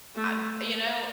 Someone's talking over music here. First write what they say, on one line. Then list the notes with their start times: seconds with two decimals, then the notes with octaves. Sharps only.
I'm you know
0.15 A3